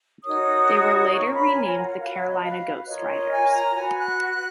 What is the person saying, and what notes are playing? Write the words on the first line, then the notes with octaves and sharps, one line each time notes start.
They were later renamed the Carolina Ghostriders.
D#4 F#4 A#4 C#5 D#6
F4 A#4 C#5 C#6
B5
G#5
F#5
F#5
F#4 B4 F5
C#5
D#5
F5
F4 A#4 C#5 D#5
D#5
G#5
A#5
F#4 B4 G#5
F#6